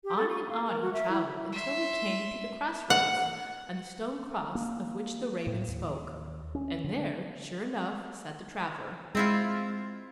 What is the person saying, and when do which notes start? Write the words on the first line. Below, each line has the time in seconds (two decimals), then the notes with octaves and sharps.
On and on he travelled, until he came to the cross-roads and the stone cross of which the raven spoke, and there, sure enough, sat the traveller.
0.04 G4
0.17 A4
0.31 C#6
0.49 F5
0.66 A#4
0.81 F#4
0.93 E5
1.10 E4
1.52 E5 C6
2.90 F#5
4.55 A#3
5.47 A2
5.68 D#2
6.55 C#4
6.84 D3
9.15 G#3 C4 E4 F4